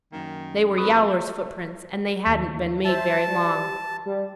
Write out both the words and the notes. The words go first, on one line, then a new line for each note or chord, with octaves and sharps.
They were Yowler's footprints, and they hadn't been made very long.
F#2 D#3 A#3
F2 A4 B4 C#6 D#6
D#2
C5 E5 A5
G3
G3